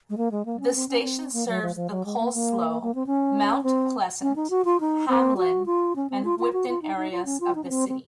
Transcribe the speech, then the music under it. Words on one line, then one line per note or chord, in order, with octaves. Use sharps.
The station serves the Polsloe, Mount Pleasant, Hamlin and Whipton areas of the city.
G#3
A#3
G#3
A#3
C#4
C4
C#4
C4
A#3
F#3
F3
F3
F#3
G#3
A#3
A#3
A#3
C4
C#4
C4
C#4
D#4
F#4
F4
D#4
C4
F#4
F4
C#4
C4
F4
F4
F#4
F4
D#4
D#4
F4
C#4
F4
D#4
C#4
C4
C4